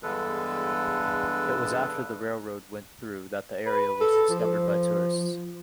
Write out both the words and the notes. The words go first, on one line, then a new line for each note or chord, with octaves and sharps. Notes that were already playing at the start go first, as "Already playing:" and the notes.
It was after the railroad went through that the area was discovered by tourists.
E2 G2 D3 G#3 A4 B4
B4
A4
F3